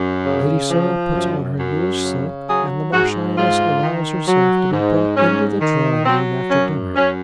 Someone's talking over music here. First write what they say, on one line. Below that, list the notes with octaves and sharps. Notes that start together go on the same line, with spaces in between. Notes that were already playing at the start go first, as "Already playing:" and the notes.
Lady Sarah puts on her newest silk, and the Marchioness allows herself to be brought into the drawing-room after dinner.
Already playing: F#2
C#3
F3
F#2
F#2
C#3
F#3 G#4
G#2 F#4
G#2 F4
D#3
F#3
G#2
G#2 C#4
D#3
F#3 C4
F#2 C#4
F#2 C#4